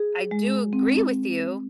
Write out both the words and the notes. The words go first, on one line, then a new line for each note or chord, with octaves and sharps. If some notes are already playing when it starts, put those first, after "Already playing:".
I do agree with you
Already playing: G#4
G#3
C4